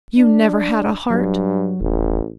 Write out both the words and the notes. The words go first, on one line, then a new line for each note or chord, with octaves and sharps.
You never had a heart.
D4
G2 F#3
D#1 A1